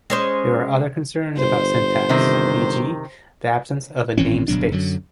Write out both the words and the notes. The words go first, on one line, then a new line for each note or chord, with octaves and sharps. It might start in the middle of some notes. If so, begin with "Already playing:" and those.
There are other concerns about syntax, e.g., the absence of a namespace.
G#3 C#4 C5
G1 C5
C3 D#3
G#1 E3 C4 C#4
G1 B2 F#3 D4
F#2 D3 F#3